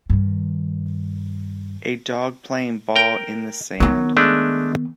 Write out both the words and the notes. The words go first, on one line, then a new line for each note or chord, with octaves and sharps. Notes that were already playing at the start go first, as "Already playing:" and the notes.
A dog playing ball in the sand.
G2 D#3
A#4 G5
D#3 F#3 B3
G#3 A3 D4